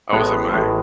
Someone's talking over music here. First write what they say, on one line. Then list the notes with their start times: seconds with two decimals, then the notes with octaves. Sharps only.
I was at my
0.12 A1 A2 G#3 B3
0.51 A1 A2 G#3